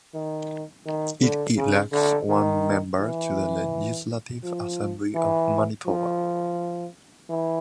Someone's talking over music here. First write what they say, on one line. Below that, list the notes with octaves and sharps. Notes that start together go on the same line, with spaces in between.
It elects one member to the Legislative Assembly of Manitoba.
D#3
D#3
D3
C#3
D3
D#3
E3
F3
E3
F3
E3